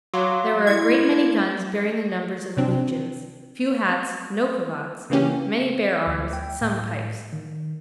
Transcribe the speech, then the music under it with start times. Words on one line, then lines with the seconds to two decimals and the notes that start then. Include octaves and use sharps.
There were a great many guns bearing the numbers of the legions, few hats, no cravats, many bare arms, some pikes.
0.14 F#3 F5 C6 D6
0.67 E4 G#6
2.57 C3 C4 D4
5.10 C#3 E3 A#3 C#4 G4
6.07 D2
6.33 G5
6.61 A2
7.33 D#3